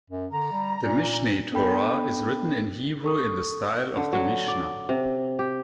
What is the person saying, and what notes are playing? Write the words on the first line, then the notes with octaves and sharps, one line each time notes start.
The "Mishneh Torah" is written in Hebrew in the style of the "Mishnah".
F#2
D3 A#5
G3
A#2
B3 D4 A4 G5 B5
A4 C#6 D#6
D3
F#3
D5
C3
G4